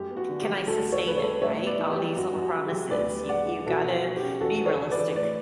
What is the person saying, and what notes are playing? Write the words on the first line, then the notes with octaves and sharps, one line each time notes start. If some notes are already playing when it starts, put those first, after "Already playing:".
can I sustain it, right? All these little promises, you you gotta be realistic
Already playing: F#2 A3 G4
B3
F#4
D3
G4
F#3
D2 F#4 A4
D2
A4 C#5
C#3 B4
A4 C#5
G3
A2 C#5 E5
B3
B4 D5
E3
G4
G3
F#2 F#4
F#2
F#4
C#3
G4
F#3
D2 B4 D5
G3
C#3 D5 F#5
E3
B2 F#4 A4
B2
F#4
F#3
G4
C#4
E2 F#4 A4
E2
A4 C#5
C#3
B4 D5
E3
A2 B4 D5